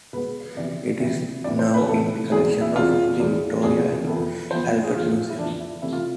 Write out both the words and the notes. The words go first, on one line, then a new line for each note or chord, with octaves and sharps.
It is now in the collection of the Victoria and Albert Museum.
B2 G#3 B3 B4
C3 E3 B3 D5
C3 E3 B3
C3 E3 B3 D5
C5
B4
C3 E3 B3 A4
E2 B2 G#3 C4 G#4
E4
E2 B2 G#3 C4 F4
E2 B2 G#3 C4
E2 B2 G#3 C4 G#4
F2 E3 B3 A4
F2 E3 B3 C5
G#4
F2 E3 B3 F4
E4
F2 E3 B3 D4
E4
C3 E3 A3 C4 E4
F4